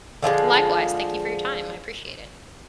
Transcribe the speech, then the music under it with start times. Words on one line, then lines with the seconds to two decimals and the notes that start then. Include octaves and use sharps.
Likewise, thank you for your time, I appreciate it.
0.22 D3 F3 F#3 G#3